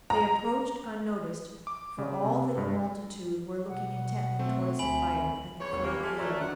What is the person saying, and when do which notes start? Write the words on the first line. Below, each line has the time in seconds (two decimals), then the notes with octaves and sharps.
They approached unnoticed, for all the multitude were looking intently towards the fire at the foot of the oak.
0.10 A#5
1.67 D6
1.98 C#3
2.22 C3
2.58 G2
3.69 B2 F#5
4.39 A3 C4
4.79 D2 E5 G#5 B5 F#7
5.60 E2 C#5
5.73 G#1 D#2
5.84 E3 G3 A#3
6.03 G#3 A3
6.18 F#3 A3 D5 A#5 F6
6.41 D2 D3 F#5